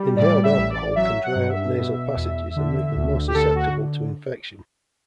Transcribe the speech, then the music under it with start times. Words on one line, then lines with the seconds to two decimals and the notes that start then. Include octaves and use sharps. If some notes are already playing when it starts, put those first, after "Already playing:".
Inhaled alcohol can dry out nasal passages and make them more susceptible to infection.
Already playing: G3
0.16 A2 D5
0.43 E5
0.57 A1
0.70 D5
0.96 F#3 E5
1.23 F#5
1.35 G2
1.50 E5
1.76 B2
2.16 E2
2.56 D3
2.96 D2
3.28 G4
3.34 D3 A4
3.55 F#4